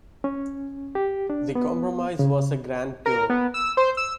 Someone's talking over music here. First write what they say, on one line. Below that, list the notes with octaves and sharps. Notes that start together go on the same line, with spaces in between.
The compromise was a Grand Tour.
C#4
G4
D4
B3
C#3
A#4
B3
E6
C5
E6